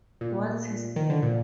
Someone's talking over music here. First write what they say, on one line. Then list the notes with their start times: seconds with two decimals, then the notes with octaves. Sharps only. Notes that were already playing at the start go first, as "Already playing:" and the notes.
What's his name?
0.21 A#2
0.96 D#3
1.10 D3
1.22 A#2